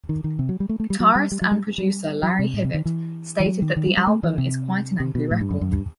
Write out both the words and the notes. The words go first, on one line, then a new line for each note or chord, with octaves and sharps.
Guitarist and producer Larry Hibbitt stated that the album is:quite an angry record.
D#3
D#3
C3
F#3
G3
A3
A3
G3
F#3
G3
G3
F#3
G3
G3
F#3
C3
A2
C3
D#3
E3
E3
F#3
D#3
D#3
G3
G3
A3
E3
C3
C3
B2
A2
G2
F#2
F#2
G2